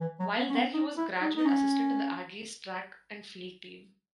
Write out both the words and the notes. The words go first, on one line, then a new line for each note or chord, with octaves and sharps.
While there he was graduate assistant on the Aggies Track and Field team.
E3
F#3
B3
C#4
B3
D#4
E4
D#4
D#4
C#4